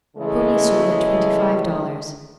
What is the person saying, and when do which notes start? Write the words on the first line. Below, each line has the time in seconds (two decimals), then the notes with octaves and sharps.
Ponies sold at twenty-five dollars.
0.17 C#3 E3 G#3 A3